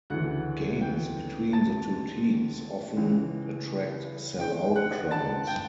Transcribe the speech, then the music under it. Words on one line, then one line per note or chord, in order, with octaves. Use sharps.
Games between the two teams often attract sell-out crowds.
D2 C#3 E3 F#5 F#6
G5 G6
A5 A6
C#2 C#3 E3
G5 G6
F#5 F#6
A5 A6
G5 G6